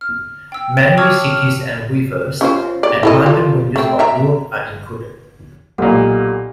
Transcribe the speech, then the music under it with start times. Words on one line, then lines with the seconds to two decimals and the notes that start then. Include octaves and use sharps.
Many cities and rivers, and mountain ranges of Europe are included.
0.01 F6
0.52 G5 E6
0.77 C#5 G5 D7
0.97 A5 C#6 D6 E6 F6 G#6
1.30 F6
2.41 C#4 F4 C5
2.83 D5
3.03 E4 A4 D#5
3.26 F4 A4 D5
3.76 A3 C4
3.99 D5 E5 A#5
5.78 B1 A#2 G4 A4 F#5